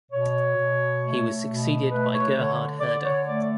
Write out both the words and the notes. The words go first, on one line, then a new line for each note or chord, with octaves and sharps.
He was succeeded by Gerhard Herder.
B2 C#5
B2
A3
B2
A3 B4
C#5
D3 C#5
D3 D5
C#5
A3 D5